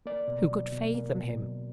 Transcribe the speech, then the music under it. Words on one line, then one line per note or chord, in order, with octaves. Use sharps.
Who could fathom him?
A#3 D5
B2
F#3
B2
A#3
B2
F#3